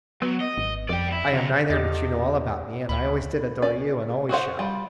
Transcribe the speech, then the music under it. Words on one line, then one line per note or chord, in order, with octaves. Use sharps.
I am neither; but you know all about me, and I always did adore you and always shall.
F#3 B3
D#5
G#1
F2 D5 G5
E4
F2 C#3 A#5
E2 G4 D#5
D2 B5
C#4 D5
F#4 G#4 C5 F#5
G3 F4